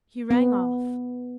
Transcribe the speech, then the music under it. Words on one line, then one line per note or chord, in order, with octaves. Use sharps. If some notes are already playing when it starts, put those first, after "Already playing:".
He rang off.
B3